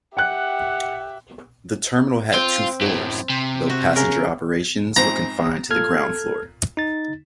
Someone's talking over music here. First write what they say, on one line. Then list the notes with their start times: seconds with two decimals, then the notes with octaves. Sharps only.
The terminal had two floors, though passenger operations were confined to the ground floor.
0.17 G4 E5 F#5 G5 F#6
2.33 C4 F4 G5
2.81 F#2 A2
3.30 C3
3.70 F#4
3.96 C#3 A#4
4.96 A#1 G#2 C4 A#5
5.71 A#2 A4 F6 G#6
6.77 D#4 A6